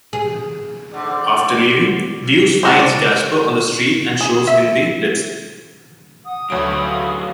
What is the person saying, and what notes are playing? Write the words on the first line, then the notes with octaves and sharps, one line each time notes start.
After leaving, Deuce finds Gaspar on the street and shows him the lipstick.
G#4
G#2 D3 C5 D5
D4 F#4 C5
D5
G#4
E5
F#5 D#6
D2 F#3 A3 B4 C#5 D7
F5